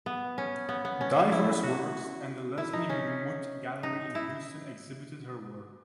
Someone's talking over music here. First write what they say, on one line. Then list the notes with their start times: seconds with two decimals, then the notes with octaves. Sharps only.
Diverse Works and the Leslie Muth Gallery in Houston exhibited her work.
0.06 B3
0.38 C#4
0.69 B3
0.85 B3
1.01 C#4
1.32 E4
1.63 F#4
2.58 E4
2.73 D#4
2.89 C#4
3.83 D#4
4.15 E4